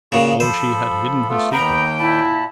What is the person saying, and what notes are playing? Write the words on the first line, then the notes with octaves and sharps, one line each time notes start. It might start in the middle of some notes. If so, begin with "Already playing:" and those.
Oh, she had hidden her secret.
A#2 C#3 F#4 D#6
F3 A4 C5 B5
A3 B3 F4 A4
D#2 B3 G5 A#5 B5
A#2 E4 A5 B5